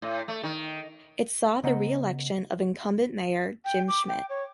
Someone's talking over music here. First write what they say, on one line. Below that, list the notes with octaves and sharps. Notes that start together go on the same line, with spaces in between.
It saw the reelection of incumbent mayor Jim Schmitt.
A2
A3
D#3
C#3 B3 C5 D#5 F#5 A#5
G5
D6
G5
C#5